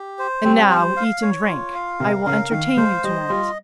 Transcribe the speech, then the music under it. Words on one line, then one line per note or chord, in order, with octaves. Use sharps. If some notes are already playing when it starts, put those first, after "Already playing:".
And now eat and drink; I will entertain you to-night.
Already playing: G4
C5
G3 C4
C5
F5
C#5
F4
F5
C3 A#4
C#3 F5
D#3 F5
G#3 C5
G3 D#5
G3 F4